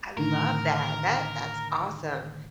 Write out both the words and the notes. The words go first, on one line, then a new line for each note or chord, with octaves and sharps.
I love that. That that's awesome.
A2 D3 D#3 A#4